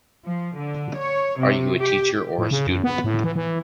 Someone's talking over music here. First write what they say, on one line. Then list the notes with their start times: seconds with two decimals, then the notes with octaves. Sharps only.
Are you a teacher or a student?
0.24 F3
0.56 D3
0.97 C#5
1.39 C3
1.80 G4
2.39 A2
2.51 C#3
2.67 F#2
2.84 B3
3.04 A2
3.24 E3
3.36 E3